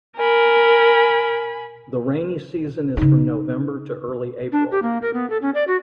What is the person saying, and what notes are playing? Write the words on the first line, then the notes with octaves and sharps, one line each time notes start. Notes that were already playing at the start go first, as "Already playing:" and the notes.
The rainy season is from November to early April.
A#4 G#5 B5
C#3 D#4
D4
G4
A#3
A#4
B3
A4
C#4
D5
F#4